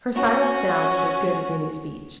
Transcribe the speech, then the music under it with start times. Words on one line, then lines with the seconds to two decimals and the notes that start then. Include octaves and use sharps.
Her silence now was as good as any speech.
0.15 C#4 F#4